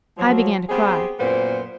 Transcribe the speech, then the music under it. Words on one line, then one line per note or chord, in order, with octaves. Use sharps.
I began to cry.
F3 F#3
B3 C4 G4 G#4
F#2 A#2 B3 C5